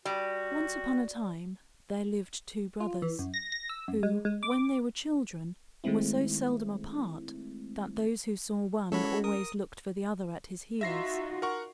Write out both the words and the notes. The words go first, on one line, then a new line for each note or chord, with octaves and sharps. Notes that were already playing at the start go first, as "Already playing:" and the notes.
Once upon a time there lived two brothers, who, when they were children, were so seldom apart that those who saw one always looked for the other at his heels.
G3 F#4
F4
E3
F#2
A#6
A#6
E6
F#2
G#3
G#3
D6
D#3 G#3 A3 C4 E4
G#3 C#4 E4 F#4 A4 C#5 B5
A#4 D#6
D#4 F4 F#4 E5 A#6 C7
A#4 F#5 C#6